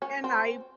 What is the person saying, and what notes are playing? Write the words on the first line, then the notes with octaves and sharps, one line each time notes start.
and I
C#4
C4